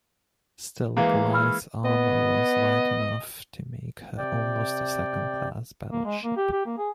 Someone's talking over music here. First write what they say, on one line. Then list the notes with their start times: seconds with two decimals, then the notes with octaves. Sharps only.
Still, "Goliath"s armour was light enough to make her almost a second-class battleship.
0.97 E3 G#3 A#3 A#5
1.33 B5 E6 F6
1.85 B3 D#5
4.18 C3 D5 G5
5.92 A#3
6.05 G#3
6.23 A#3
6.37 G4
6.52 G4
6.66 A#3
6.78 G#4